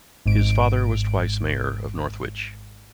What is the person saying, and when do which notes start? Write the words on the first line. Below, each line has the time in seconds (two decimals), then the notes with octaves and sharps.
His father was twice mayor of Northwich.
0.26 G#1 G#2 D7